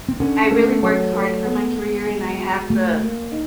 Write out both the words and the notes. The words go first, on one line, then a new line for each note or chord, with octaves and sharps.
I really worked hard for my career, and I had the
C4
D3 C#4
A3
F#3
A3
B3
B3
G#3
F#4
A3 F#4
A#3
D#4